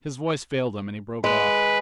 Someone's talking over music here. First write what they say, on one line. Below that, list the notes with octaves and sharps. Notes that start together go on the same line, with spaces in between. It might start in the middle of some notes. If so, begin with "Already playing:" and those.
His voice failed him, and he broke off.
G#3 B4